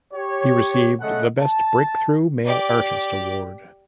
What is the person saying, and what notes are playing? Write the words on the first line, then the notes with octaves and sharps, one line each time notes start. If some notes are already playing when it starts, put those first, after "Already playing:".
He received the Best Breakthrough Male Artist award.
G4 C#5
C#3 A3 A4 D#5 F#5
A5
G4 D5